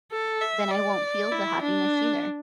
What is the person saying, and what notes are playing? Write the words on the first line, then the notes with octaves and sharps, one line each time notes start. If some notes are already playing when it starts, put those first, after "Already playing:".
then I won't feel the happiness, either.
A4
E5
D5
E4
D4